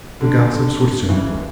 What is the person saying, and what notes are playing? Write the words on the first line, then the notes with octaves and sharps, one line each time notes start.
The gossips were soon at work.
D3
D3
C#3 E3